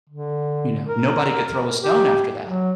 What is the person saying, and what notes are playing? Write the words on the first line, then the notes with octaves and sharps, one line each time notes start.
you know? Nobody could throw a stone after that,
D3
A#4
G4
F#3